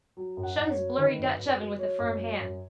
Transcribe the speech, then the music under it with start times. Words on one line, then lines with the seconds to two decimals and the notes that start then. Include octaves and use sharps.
Shut his blurry Dutch oven with a firm hand.
0.17 F#3
0.37 F#2
0.43 F#5
0.57 F#2
0.70 C#5
0.77 F#3
0.98 D#3 B4
1.18 F#2
1.38 F#2
1.58 F#3
1.78 F#3 C#5
1.99 F#2
2.19 F#3
2.39 F#2